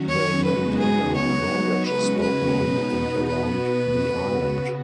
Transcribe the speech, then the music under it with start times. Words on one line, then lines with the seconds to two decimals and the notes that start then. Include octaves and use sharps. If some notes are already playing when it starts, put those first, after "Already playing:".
The Yamdena language is spoken on and around the island.
Already playing: D#3 F#3 C#4 F#4
0.09 C#5
0.44 C#3 G#3 B3 D#4 F#4 B4
0.79 G#4
1.15 F#3 B3 D#4 F#4 C#5
1.86 C#3 G#3 C#4 F#4 B4
2.22 B4
2.56 B2 B3 D#4
3.27 B2 B3 F#4 B4
3.99 C#3 B3 F#4